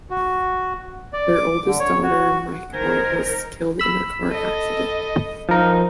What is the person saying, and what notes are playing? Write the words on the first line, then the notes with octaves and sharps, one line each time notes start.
Their oldest daughter, Michal, was killed in a car accident.
F#4
D5
D6
D3
C#5
F#4
D#3 A#4 C5 G#5
B5 E6
A4 D#5
F3 D#4 A#4